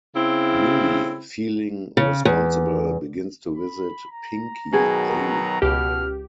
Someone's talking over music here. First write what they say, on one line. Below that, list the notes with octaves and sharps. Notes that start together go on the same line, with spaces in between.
Millie, feeling responsible, begins to visit Pinky daily.
C#3 C4 E4
C#3
E2
B5
A#5
B2 D#3 F#3 G#4
C#2 B2 G4 F6